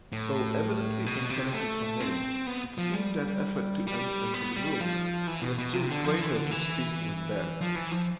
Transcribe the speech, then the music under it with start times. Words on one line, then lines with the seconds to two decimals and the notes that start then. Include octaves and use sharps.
Though evidently intending to come in, it seemed an effort to enter the room, and a still greater to speak when there.
0.12 A2
1.06 B2
1.30 C3
1.53 A3
2.00 C4
2.47 B3
2.78 F3
2.94 G3
3.87 G3
4.34 B3
4.56 G3
4.80 F3
5.27 E3
5.42 B2
5.58 B2
5.73 C3
5.90 D3
6.04 F3
6.21 E3
6.36 D3
6.51 E3
7.61 F3
7.75 E3
7.92 F3